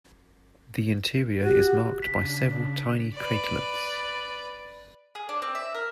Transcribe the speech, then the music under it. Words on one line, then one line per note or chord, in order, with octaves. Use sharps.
The interior is marked by several tiny craterlets.
F#4 G4
C#3 D4 B6
B4 D5
G#4
D4
C4
E5
A#4